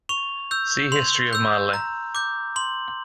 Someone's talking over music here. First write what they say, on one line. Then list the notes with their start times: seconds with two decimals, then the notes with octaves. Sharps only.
See history of Malle.
0.09 C#6 F7
0.51 E6 G6
0.92 C6 F7
1.33 E6 G6
1.73 A#5
2.15 D6 G6
2.56 C6 F#7